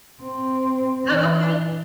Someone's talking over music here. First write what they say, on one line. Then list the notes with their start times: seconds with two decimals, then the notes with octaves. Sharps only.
Oh, okay.
0.21 C4
1.08 E3